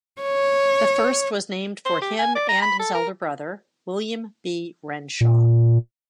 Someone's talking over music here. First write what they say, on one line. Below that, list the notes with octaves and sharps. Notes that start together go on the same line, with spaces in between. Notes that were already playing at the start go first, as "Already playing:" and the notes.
The first was named for him and his elder brother, William B. Renshaw.
C#5
C5
G4
G#5
D5
A#5
B5
A4
A#4
A#2